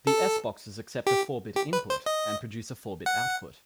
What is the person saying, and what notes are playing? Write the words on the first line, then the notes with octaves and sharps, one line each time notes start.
The S-boxes accept a four-bit input and produce a four-bit output.
A4
G4
G4
B4
C5
D#5
F#5